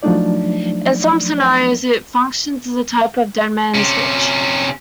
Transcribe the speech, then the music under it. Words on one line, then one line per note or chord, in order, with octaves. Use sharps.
In some scenarios it functions as a type of dead man's switch.
F3 F#3 A3 D4 D#4 D5
C3 C#4